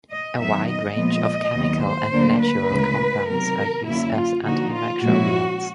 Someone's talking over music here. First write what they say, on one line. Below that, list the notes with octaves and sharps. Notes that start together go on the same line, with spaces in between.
A wide range of chemical and natural compounds are used as antimicrobials.
D#5
F#2 D#3 F#3 B3 D#4 E5
D#5
A#2 F3 G#3 B3 D#5
D#2 D#3 F#3 B3
C5
D2 D3 F#3 A#3 D4
B4
D2 C#3 E3 G#3
C3 D#3 F#3 B3 A#4
F#2 D3 F#3 A#3 C#4 E4
F4
D3 F3 A#3 D#4 F#4
F4
A#2 F3 G#3 C#4 E4 F#4